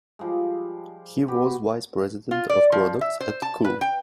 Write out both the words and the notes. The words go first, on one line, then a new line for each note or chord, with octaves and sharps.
He was Vice President of Products at Cuil.
F3 G3 G#3
B3 F#4 G4 B4
F4
D5
F3
E5
C5
A5
B4
G5